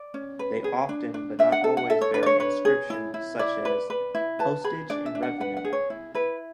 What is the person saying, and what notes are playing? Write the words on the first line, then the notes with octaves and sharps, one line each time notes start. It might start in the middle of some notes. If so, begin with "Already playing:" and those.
They often but not always bear an inscription such as "Postage and Revenue".
Already playing: D5
C#4
B4
G#4
D4
D4
D4 E5
F#5
A4
F#5
A4 E5
C#5
D4 B4
D5
C#5
B4 C#5
G#4
E4
E4
E4 D5
B4
B4
E4
B4 A5
G#4 B5
D4 D5
E5
D4
F#5
B4 F#5
F#5
G#4
C#5
E4
E4 B4